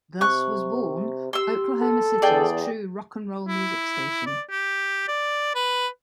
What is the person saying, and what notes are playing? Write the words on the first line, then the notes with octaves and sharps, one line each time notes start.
Thus was born Oklahoma City's true "Rock N' Roll" music station.
C3 C#6 F#6
G4 C6 E6
A4
E2 G#4 D5 G5
E4
D5
G4
D5
B4